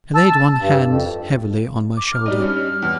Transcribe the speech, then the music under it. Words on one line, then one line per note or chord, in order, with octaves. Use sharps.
He laid one hand heavily on my shoulder.
A5 E6
G2
F2
D6
F6
G3 D4 D#4
G2 G3 C#4
F6
E2